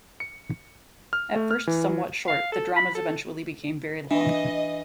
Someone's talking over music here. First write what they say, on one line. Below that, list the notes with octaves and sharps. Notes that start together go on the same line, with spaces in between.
At first somewhat short, the dramas eventually became very long.
C#7
F6
A3
F6
E3
F5
A4
B5
A4
E3 D4 D#5